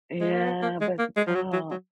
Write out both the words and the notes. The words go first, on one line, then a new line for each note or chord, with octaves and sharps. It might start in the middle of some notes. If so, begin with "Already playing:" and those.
Yeah, but, aw
G#3
A#3
B3
A#3
G#3
A#3
G#3
F3
F#3
F#3
F#3